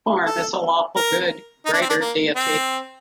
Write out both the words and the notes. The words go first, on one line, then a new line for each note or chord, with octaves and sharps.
Torm is a Lawful Good greater deity.
A4
A#4
D#4
D4
C4
D4
A#3
C4